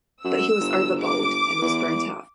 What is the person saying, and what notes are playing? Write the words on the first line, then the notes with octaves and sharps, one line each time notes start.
But he was over-bowled and was burnt out.
F#2 E6
G1
D6
E2